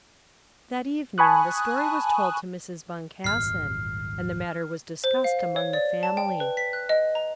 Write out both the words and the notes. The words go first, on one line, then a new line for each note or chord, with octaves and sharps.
That evening the story was told to Mrs. Boncassen, and the matter was discussed among the family.
G#5 A5 B5 C#6 D#6 F#6
D#1 G#1 F#2 F6 C7
C5
F5
F5
C#5
D5
A5
G5
B4
B6
F#6
D#5
A#5